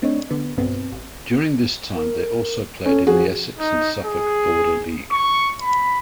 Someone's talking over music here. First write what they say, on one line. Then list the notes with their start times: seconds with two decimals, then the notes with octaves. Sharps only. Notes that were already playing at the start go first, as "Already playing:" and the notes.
During this time they also played in the Essex and Suffolk Border League.
0.02 A3 C4 D4 D#4 C#5
0.30 D3 B3
0.57 B1 G2 B3 C4
0.92 A1
1.95 A#4
2.86 C#4 A4
3.07 F3 F#4 G#4
3.59 D#4
4.05 G#4
5.12 C#6
5.61 B5